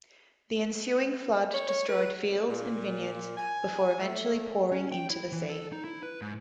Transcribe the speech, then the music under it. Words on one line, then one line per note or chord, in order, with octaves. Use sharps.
The ensuing flood destroyed fields and vineyards before eventually pouring into the sea.
C#5
C#5
B4
A#2
G#5
A3
C#4
G5
E4
E3
A4
D#4
E4
B4
G#2